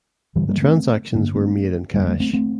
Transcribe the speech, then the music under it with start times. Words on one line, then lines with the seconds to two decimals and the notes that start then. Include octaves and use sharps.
The transactions were made in cash.
0.35 G2 D3 E3 G3
0.49 G3 A#3
0.62 A3 C4
1.14 G2 D3 A#3 D4
1.34 A3 C4
1.94 F2 D3 G3 A#3
2.07 G3 A#3
2.20 A3 C4
2.33 A3 C4